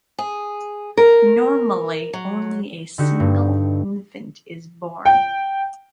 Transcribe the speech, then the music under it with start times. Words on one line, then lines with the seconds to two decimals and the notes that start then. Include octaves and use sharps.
Normally, only a single infant is born.
0.18 G#4
0.97 A#4
2.13 F#3
2.98 D3 D#4 F#4 G4
3.20 G2
5.05 G5